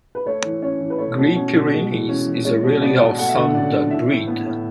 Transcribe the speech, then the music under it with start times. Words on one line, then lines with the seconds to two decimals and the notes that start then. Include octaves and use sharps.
Great Pyrenees is a really awesome dog breed.
0.15 B4
0.25 A3 C#5
0.45 E3
0.62 C#4 C#5
0.80 E3
0.90 B4
0.98 A3 C#5
1.17 B2
1.36 C#4
1.53 B2
1.73 G#3
1.91 E3
2.09 C#4
2.26 E3
2.45 G#3 C#5
2.64 B2
2.82 B3 D5
3.00 B2
3.18 A3 F#5
3.29 E5
3.36 D3 F#5
3.54 C#4 D5
3.73 D3
3.91 E3 E5
4.10 A2
4.28 B3
4.46 A2